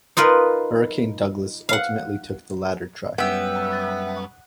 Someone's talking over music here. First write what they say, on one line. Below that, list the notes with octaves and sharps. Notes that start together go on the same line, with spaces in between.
Hurricane Douglas ultimately took the latter track.
D#4 F4 A#4 B4
F5 F#5
F#2 G3 B3 C#4 E5 G5